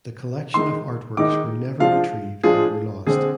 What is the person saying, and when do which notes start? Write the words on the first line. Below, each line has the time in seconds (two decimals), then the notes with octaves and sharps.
The collection of art works were never retrieved and were lost.
0.54 D#3 G#3 D#4 C6
1.17 D#3 G#3 D#4 D6
1.80 F3 G#3 D4 F4 F5
2.43 F3 G#3 D4 F4 G#4
3.07 D3 G#3 C4 G#4